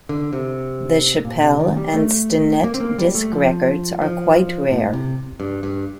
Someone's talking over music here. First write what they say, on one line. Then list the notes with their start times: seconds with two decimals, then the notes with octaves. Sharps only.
The Chappelle and Stinnette disc records are quite rare.
0.09 D3
0.33 C3
1.25 A#2
1.42 C3
1.60 D#3
1.77 G3
1.94 A3
2.64 A#3
2.74 C4
2.80 A#3
2.98 G3
3.15 A3
3.33 F3
4.02 F3
4.71 A2
4.93 C3
5.40 G2
5.63 G2